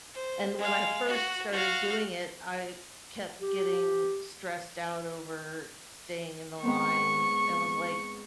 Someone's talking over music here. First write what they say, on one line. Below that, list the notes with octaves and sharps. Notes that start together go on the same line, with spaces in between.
and when I first started doing it, I kept getting stressed out over staying in the lines and was like,
C5
G#3 F5
F#4
F#4 F5
G4
G#2 B3 C4 C#6